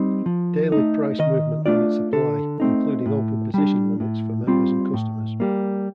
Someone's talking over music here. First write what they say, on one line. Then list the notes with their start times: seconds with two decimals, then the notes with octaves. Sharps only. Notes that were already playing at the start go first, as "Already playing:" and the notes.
Daily price movement limits apply, including open position limits for members and customers.
Already playing: G3 C4 D#4
0.26 F3
0.72 A3 D#4
1.19 D#3 D#5
1.66 A3 D4 F4 D5
2.13 D3 A4
2.60 A3 C4 D#4
3.06 A2
3.54 G3 D4
4.00 A2
4.47 G3 C4 F4
4.94 A2
5.40 G3 A#3